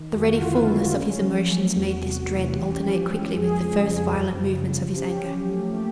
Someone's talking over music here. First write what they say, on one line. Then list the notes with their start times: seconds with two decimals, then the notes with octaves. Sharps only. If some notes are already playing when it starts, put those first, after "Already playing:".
The ready fulness of his emotions made this dread alternate quickly with the first violent movements of his anger.
Already playing: D#3
0.15 F2 F#4
0.27 F4
0.39 D3 E4
0.51 F4
0.68 F#3
0.95 C#4
1.22 F3
1.49 A3
1.75 E2 F#4
2.02 C3
2.29 E3
2.44 F#4
2.55 C#4 G4
2.83 F3
3.09 G#3
3.36 F2 G#4
3.62 C#3
3.89 F3
4.16 F#2
4.43 C#3
4.69 F3
4.96 C#4 G4
5.22 F#3
5.50 A3
5.76 A#3 G4